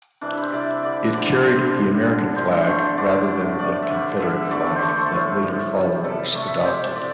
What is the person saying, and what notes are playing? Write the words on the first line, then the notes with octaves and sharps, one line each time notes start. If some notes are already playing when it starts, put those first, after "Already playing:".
It carried the American flag rather than the Confederate flag that later followers adopted.
C3 E3 G3 D4
E4
C5
C3 E3 G3 D5
E5
D3 G3 D5
D3 G3 D5
D5
D3 G3 C5
D3 G3
D3 G3
D3 G3 C5
D3 A3 C5
D3 A3 D5
A2 A3
A2 A3 D5
E5
D3 G3 D5
D3 G3 E5
D3 A3 D5
C5
D3 A3 A4
A2 G3
A2 G3
C3 G3
C3 G3 A4
C3 A3
E5
D5
C3 A3 C5
A2 D5